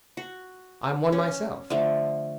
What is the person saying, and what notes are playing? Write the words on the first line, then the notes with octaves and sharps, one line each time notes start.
"I'm one myself."
F#4
C#4
D3 F3 A3